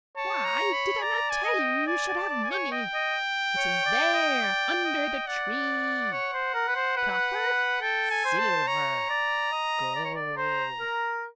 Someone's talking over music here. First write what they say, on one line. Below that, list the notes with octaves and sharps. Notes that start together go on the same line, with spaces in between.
Why, did I not tell you you should have money. It is there, under the tree, copper, silver, gold.
C#5 A5
A#5
B5
D5 A#5
G#5
D#5
G5
D5 G#5
D5
A5
D5
G#5
C#5
D#5 G5
D#5
C#5
D5
D#5
D5
D#5
D5 F#5
C#5
C5
A#4
B4
C5
B4 F#5
A4 G5
G#5
C5
A5
C#5 A#5
D5
D#5
D5
C#5
D5
C5 A#5
A#4